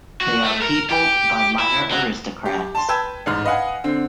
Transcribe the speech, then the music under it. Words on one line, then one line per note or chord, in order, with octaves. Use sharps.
They are peopled by minor aristocrats.
F#4
A3
A#4
G4
E4
F#3
G4
A5 C6
B4 G5 A5 E6 G#6
A1 G#2 F6
B4 D#5 F5 F#5 G#5
D3 C4